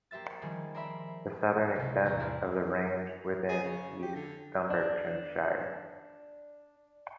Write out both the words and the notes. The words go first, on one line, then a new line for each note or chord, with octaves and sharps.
The southern extent of the range fall within East Dunbartonshire.
A#3 G4 C5 E5 A6
D#3 F3 G3 A#3 D#4 G#4
A#4 C5 D5 E5 B5 C6
C#2 C3
E2 A2 C4 A#5 A#6
C4 E4 G4 C5 D5 F5
G#4
C#3
G4
D3
D4 D5